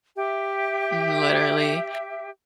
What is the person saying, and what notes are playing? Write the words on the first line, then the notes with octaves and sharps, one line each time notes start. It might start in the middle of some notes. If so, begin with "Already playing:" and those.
Mm, literally.
G4 E5